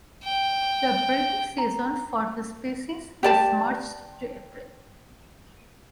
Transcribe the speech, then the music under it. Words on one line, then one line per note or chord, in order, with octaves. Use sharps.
The breeding season for the species is March-April.
G5
A#5
G4 D5 A5